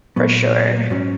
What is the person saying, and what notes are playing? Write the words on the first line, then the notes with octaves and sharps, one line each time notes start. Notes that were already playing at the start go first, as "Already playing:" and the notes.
for sure.
A#2 F#3 B3
G#2 F#3 C#4